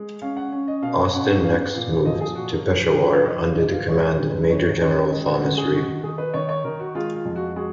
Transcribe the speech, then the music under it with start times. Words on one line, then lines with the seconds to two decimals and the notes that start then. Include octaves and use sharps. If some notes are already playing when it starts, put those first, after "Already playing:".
Austen next moved to Peshawar under the command of Major General Thomas Reed.
Already playing: G#3
0.22 C#4 F5
0.37 F#5
0.52 C#4
0.68 D#5
0.82 B2 F5
1.13 C#4 F#5
1.44 B3 F5
1.75 A#2
2.06 F3 D#5
2.20 G#4
2.36 A#2 F#4
2.51 A#4
2.66 F3 B4
2.97 F3 F#5
3.12 F5
3.27 F3 D#5
3.43 F5
3.58 A#2 D#5
3.73 F5
3.88 G#3 C#5
4.09 B4
4.20 F#2
4.29 B4
4.50 D#3 C#5
4.81 C#4 D#5
5.11 G#3 D#5
5.27 F#5
5.42 C#4 F#5
5.57 G#4
5.73 D#3 F#4
5.88 F#4
6.03 D#3 G#4
6.18 B4
6.34 D#3 C#5
6.49 C#5
6.64 D#3 A#4
6.80 F#4
6.95 G#3 F4
7.15 F4
7.25 F2
7.36 F#4
7.56 G#3 F#4